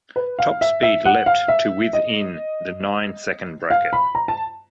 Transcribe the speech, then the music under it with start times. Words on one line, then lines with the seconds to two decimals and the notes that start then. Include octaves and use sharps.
Top speed leapt to with in the nine second bracket.
0.16 B4
0.39 F5
0.61 E5
0.83 E5
1.05 F#5
1.26 F5
1.48 E5
1.93 D#5
3.71 F5
3.93 B5
4.15 A#5
4.28 A5